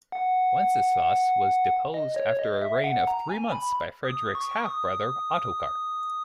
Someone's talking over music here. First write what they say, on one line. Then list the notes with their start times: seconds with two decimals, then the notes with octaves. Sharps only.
Wenceslaus was deposed after a reign of three months by Frederick's half-brother Ottokar.
0.12 F#5
1.94 D#5
2.16 C#5
2.39 D#5
2.62 E5
2.84 F#5
3.07 A#5
3.29 G#5
3.52 B5
4.05 D#6
4.35 C#6
4.66 D#6